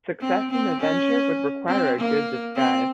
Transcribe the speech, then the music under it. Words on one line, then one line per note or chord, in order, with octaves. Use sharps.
Success in the venture would require a good disguise.
C4
C4
C#4
C4
A#3
C4